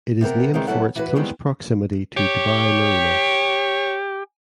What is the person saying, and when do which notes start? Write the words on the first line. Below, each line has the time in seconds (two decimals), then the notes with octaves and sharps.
It is named for its close proximity to Dubai Marina.
0.21 C3 B3 C4 A#4
0.54 C3 D#3 E3 G#3 C4
0.67 F#3 G3 B3 E4 A4 F#5
0.95 E3 F#4 B4
1.15 D#3 G3 G#3 B3 C4
2.17 G4 C#5